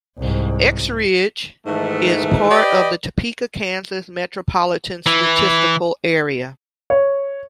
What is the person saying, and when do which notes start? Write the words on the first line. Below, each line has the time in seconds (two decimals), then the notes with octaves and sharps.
Eskridge is part of the Topeka, Kansas Metropolitan Statistical Area.
0.18 C2 G#2
1.66 G#2 D#3 E3 A3
2.50 G4 B4 D5 D#5
5.06 E3
6.90 C#5